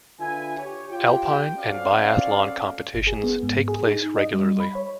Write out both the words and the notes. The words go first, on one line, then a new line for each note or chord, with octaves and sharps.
Alpine and biathlon competitions take place regularly.
D3 F4 B4 E5 G#5
G4 C#5
F4 G4 G5
C4 C#4 F#4 A4 D5 F5
G1
G#4
B3
G#2
G#4
D#4
D#5
G3
B5
C#5